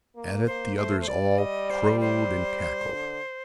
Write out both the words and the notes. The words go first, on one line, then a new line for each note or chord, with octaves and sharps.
At it the others all crowed and cackled.
A#3
A#3 C5
A3 C5
C5
G3 D5
D#5
C5
C5
D3